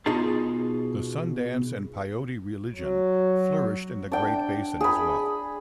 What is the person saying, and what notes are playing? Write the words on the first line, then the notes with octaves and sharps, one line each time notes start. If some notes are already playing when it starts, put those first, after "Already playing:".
The Sun Dance and Peyote religion flourished in the Great Basin, as well.
B2 D#4 F4 G#4 A5
F#3
D4 G5
G#4 B5